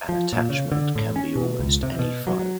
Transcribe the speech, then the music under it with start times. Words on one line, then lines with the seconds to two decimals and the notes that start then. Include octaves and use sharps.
An attachment can be almost any file.
0.09 F3
0.33 A#2
0.50 C#3
0.72 D3
0.95 A2
1.16 C#4
1.36 B2
1.59 C#2
1.83 C3
1.99 B2
2.27 F#3
2.39 F#3